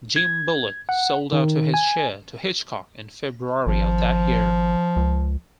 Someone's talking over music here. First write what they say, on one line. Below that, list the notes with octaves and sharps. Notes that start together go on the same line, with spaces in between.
Jim Bulleit sold out to his share to Hitchcock in February of that year.
G#6
F#5
D#3
G#5
G#1 F3
C#2